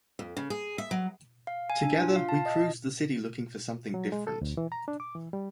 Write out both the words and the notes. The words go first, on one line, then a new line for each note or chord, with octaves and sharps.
Together, we cruised the city looking for something different.
F2
C#3
G#4
E5
F#3
F5
G#5
D4
F4
F5
A5
D#5
F#3
G#3
A4
D2
E3
A#5
D4
D6
E3
G3